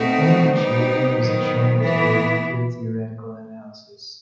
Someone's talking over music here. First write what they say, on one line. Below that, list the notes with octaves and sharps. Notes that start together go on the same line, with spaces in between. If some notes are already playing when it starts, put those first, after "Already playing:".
Only much later was it shown to be an accurate theoretical analysis.
Already playing: B2 A3 C4 D#4 F#4 A4
C5
G3 B3 D#4 G4
C5
D#3 F#3 B3 D#4
E3 B3 E4 A4
A4
B4